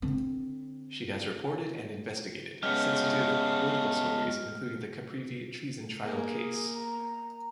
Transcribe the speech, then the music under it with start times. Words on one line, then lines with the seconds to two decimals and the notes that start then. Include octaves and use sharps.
She has reported and investigated sensitive political stories including the Caprivi treason trial case.
0.02 D3 C4
2.63 C#3 G#3 A3 B3 G4 F6
6.03 A#3 G#4
6.75 A#5